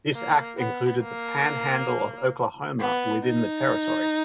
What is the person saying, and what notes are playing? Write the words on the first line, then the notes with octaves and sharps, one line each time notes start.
This act included the Panhandle of Oklahoma within the territory.
A#3
B3
A#3
B3
D#4